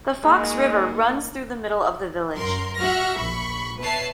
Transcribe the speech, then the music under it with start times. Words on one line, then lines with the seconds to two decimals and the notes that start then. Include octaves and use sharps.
The Fox River runs through the middle of the village.
0.24 G#3 A#3 D#4
2.36 F#2 A#4 C6
2.78 F#4 E5 F#5 F6 A#6
3.16 A#1 B5 C#6
3.80 B2 B4 C#5 E5 A5 C7